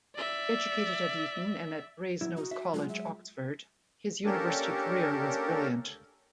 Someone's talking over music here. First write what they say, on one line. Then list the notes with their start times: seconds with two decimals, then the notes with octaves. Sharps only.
Educated at Eton and at Brasenose College, Oxford, his university career was brilliant.
0.15 D5 E5
2.21 F#3 E4
2.37 D#4 F#4
2.51 E5
2.74 F#3 G#3 F4
2.89 E5
4.25 A#3 C#4 D4 G4 A4 A#4